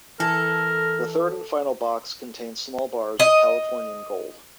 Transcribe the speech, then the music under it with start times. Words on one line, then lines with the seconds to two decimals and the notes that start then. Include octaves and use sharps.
The third and final box contained small bars of Californian gold.
0.20 E3 A4 A#4
3.20 D#5